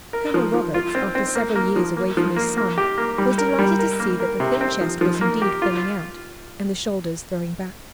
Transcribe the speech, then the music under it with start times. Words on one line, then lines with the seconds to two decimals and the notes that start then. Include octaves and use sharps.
Colonel Roberts, after several years away from his son, was delighted to see that the thin chest was indeed filling out, and the shoulders throwing back.
0.13 A#4
0.34 F3
0.54 F3
0.74 F4
0.95 C4
1.15 C4
1.35 A#3
1.55 A#3
1.76 F3
1.97 A#3
2.17 F3
2.36 A#3
2.57 A#3
2.78 G4
2.98 A#3
3.18 G3
3.38 A#4
3.59 G3
3.79 A#4
4.00 A#3
4.20 A#4
4.40 C3
4.61 C4
4.81 F3
5.01 F3
5.21 A#3
5.42 G4
5.62 F4